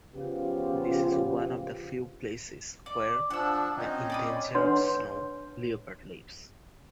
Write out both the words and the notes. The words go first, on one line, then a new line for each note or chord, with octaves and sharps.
This is one of the few places where the endangered snow leopard lives.
C#3 F3 B3 F4 G4
D5
F3 D4 F#5 E6
C4 C#4 D#4
D5 B5 D#6
D4 B4 C#5 F#5 C6